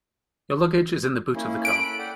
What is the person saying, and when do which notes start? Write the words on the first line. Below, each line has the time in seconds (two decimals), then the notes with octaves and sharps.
Your luggage is in the boot of the car.
1.35 A#3 C#4 E4
1.65 A4 B5 F#6 D7
1.99 D5 F#5 G5